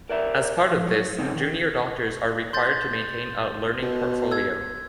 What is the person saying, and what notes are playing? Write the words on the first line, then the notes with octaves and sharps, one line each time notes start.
As part of this junior doctors are required to maintain a "learning portfolio".
A#4 D5 E5 A#5
F2
F#3
C#3 C4 C#4 D#4
D#3
C6 G6 A6
B2
E6 G#6